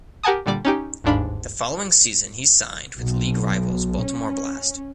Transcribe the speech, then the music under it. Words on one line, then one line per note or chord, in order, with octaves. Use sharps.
The following season he signed with league rivals Baltimore Blast.
G4 A#4 F#5 G#5 A5 D#6
A#2 D3 G3 D5 D6
C#4 D#4 G4
G1 D#2 G#2 D4 F5 B5
B1
C#4